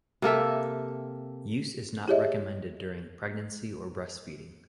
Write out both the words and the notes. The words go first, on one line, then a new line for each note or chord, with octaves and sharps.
Use is not recommended during pregnancy or breastfeeding.
C3 A#3 A4 E5
E4 G4 G#4 C#5 D#5 E5